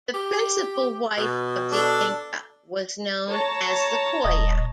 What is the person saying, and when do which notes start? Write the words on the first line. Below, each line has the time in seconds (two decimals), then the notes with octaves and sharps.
The principal wife of the Inca was known as the Coya.
0.14 G4
1.18 B2
1.72 D4 A4
3.29 C#5 A5 A#5
4.24 D#1 D#5